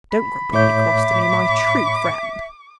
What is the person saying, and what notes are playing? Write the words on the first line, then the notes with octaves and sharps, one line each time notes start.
Don't grumble and be cross to me, my true friend.
B5
A2 C#5 E5 D6 G6